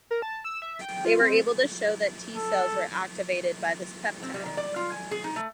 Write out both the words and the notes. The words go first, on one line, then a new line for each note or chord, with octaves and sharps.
They were able to show that T cells were activated by this peptide.
A#4
A5
E6
E5
G5
F4
C4
A4
C4
G3
D#3
D5
F4
G#5
G#4
D#4
A3